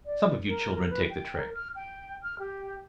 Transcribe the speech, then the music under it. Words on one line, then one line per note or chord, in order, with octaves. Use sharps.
Some of you children take the trick.
D5
A#4
A#4
B4
G5
A#4
F6
G5
F6
G4